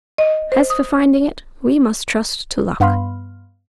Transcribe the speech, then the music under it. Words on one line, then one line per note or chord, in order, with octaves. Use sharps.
"As for finding it, we must trust to luck."
D#5
C5
D#6
G2 B3 F5 B5 C6 F6